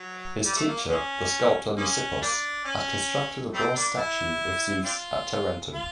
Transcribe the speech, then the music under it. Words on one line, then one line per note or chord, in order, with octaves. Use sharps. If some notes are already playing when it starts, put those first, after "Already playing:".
His teacher, the sculptor Lysippos, had constructed a bronze statue of Zeus at Tarentum.
Already playing: F#3
G3
A3
A#3
G#3 A#3 C#4
G#3 A#3 C#4
G3 A#3 D4
C#4
G3 A3 C4
G3 A#3 D4
E4
C4 D4 F4
F4